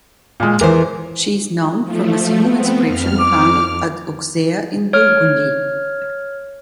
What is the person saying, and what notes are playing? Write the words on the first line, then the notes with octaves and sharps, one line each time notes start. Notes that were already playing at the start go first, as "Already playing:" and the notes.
She is known from a single inscription, found at Auxerre in Burgundy.
A#2 G#3
E2 E3 A#4 C5
F3 A3
B3 C4
F2 F6
D6
C#5 F6